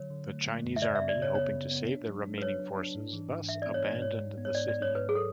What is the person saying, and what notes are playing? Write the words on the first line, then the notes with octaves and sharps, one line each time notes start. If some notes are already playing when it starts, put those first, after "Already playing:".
The Chinese Army, hoping to save their remaining forces, thus abandoned the city.
Already playing: D3 F#3 C#5
D3
A3
A3
F#2
E5
C#3 D5
B3 E5
D5
C#3 C#5
B3 C#5
C#3
B3
D4
F#3
D4
B4
F#3 C#5
D4
D4
G#2
E3
G#2
G#2 E5
B3 D5
C#5
G#2 D5
G#2 C#5
G#2
B3
C#5
G#2 D5
G#2 D5
C#5
G#2 B4
F#3 G#4
A4